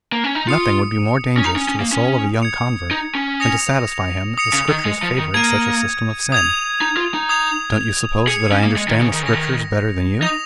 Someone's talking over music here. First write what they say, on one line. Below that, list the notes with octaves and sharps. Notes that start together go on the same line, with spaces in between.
Nothing would be more dangerous to the soul of a young convert than to satisfy him that the Scriptures favoured such a system of sin." "Don't you suppose that I understand the Scriptures better than you?
A#3
C#4
D#4
F4 D#6 C#7 F7
C#4
D#4 D#6 C#7 F7
C#4
C#4
A#3
C#4
G#6 C#7 F7
D#4
C#4
D#6 A#6 C#7 F7
D#6 C#7 F7
C#3
D#3
G#3
F3
D#3
A#3 G#6 D#7
D#6 G#6 F7
D#4
F4
D#4
D#6 G#6 F7
G#4 D#6 C#7 F7
C#4
A#3
G#3
D#3
C#3
D#3
C#3 D#6 A#6 C#7 F7
D#3
D#4 D#6 A#6 F7